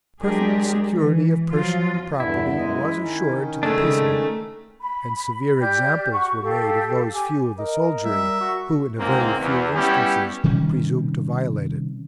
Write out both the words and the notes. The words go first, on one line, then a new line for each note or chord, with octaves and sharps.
Perfect security of person and property was assured to the peaceable, and severe examples were made of those few of the soldiery, who, in a very few instances, presumed to violate it.
F#3 G#3 D4 G4 G#4 A#4
E3
F3 F#3 F4
E2 G2 D3 E4
F#2 G#3 D#5
D#3 C#4 D#4
C#3 G#3 A3 D4
B5
G4 D5 F6 G6
F#4 C#6
G4 A4 F5
G4 G#5 D6
A#4 D#5
G3 E5
F#4 C#6
C#2 G#2 A#3 C4
E2
G3 B3 C#4 E4 G4
C3 D#3 G3 C#4